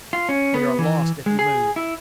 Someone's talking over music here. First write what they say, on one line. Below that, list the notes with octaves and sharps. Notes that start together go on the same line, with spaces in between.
We are lost if you move.
F4
C#4
B3
E3
G#3
G#4
E4